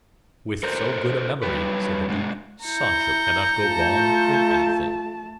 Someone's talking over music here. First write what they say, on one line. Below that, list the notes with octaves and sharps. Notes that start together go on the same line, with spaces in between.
"With so good a memory," said the duke, "Sancho cannot go wrong in anything."
A4 A#4 C5
F#3 G3 B4
B2 D3 G#3
E4 A#5 G6 C#7
A3 F4 A5